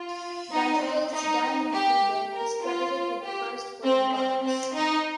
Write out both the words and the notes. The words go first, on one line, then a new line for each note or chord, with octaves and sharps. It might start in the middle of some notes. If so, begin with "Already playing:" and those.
Vanderbilt's Dan McGugin is credited with first pulling guards.
Already playing: F4
D#4
C4
D#4
G4
A#4
F4
G4
C4
C4
C4
D#4